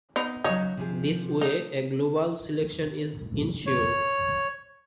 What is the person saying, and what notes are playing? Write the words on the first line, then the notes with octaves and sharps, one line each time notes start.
This way a global selection is insured.
B3 D#4
C#3 F#3 D#4 C#5
C3 F3 G#4
A3 D#4
C#5